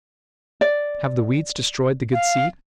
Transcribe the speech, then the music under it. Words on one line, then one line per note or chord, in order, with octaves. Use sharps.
"Have the weeds destroyed the good seed?"
D5
F5